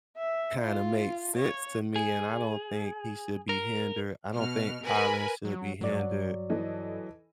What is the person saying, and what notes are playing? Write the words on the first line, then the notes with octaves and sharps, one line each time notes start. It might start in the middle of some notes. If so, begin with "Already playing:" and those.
kinda made sense to me, and I don't think he should be hindered. I don't think Collin should be hindered.
E5
F4
C#5
G#4
A#4
B2 F6
A#4 B4 G#5 B5
F#3
G2 F#3 D5
E3 A4 D#5